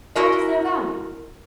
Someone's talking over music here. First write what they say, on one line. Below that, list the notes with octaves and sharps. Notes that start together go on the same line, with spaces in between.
"What is their value?"
E4 F#4 A#4 D#5